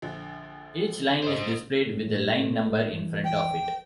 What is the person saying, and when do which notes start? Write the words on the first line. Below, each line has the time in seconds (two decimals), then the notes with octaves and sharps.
Each line is displayed with a line number in front of it.
0.02 A#1 D3 F3
1.24 C5 D#5
1.85 A2
2.91 E3
3.24 G5